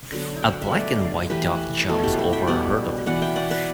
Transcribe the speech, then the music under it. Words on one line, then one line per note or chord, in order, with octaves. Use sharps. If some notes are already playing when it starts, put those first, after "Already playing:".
A black and white dog jumps over a hurdle.
D3 F#3 B3
G5
F#5
E5
B2 F#3 A3 B4 D5
E3 A3 G4 B4
B2 A3 F#4 A4
E4 G4
F#4 A4
E5 G5
B2 G3 B3 D5 F#5
E3 B3 D5 F#5
E5 G5
D5 F#5
B4 D5